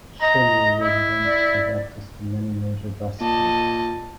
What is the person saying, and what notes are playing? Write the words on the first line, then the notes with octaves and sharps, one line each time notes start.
Shelley residents have access to many major bus routes.
D#5 A#5
E4
D5
A#2 D#5 A5